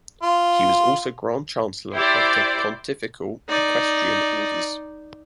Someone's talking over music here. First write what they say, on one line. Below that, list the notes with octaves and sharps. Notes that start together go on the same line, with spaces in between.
He was also grand chancellor of the Pontifical Equestrian Orders.
F4
E4 G4 C5 D5
D#4 D5